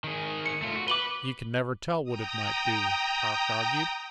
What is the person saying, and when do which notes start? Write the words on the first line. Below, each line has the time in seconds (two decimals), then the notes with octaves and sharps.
"You can never tell what it might do," Park argued.
0.04 D#3 G#4
0.46 C#7
0.62 A3 F4
0.76 F#4
0.88 B4 D6 F#7 G7
2.04 G5 A#5 D#6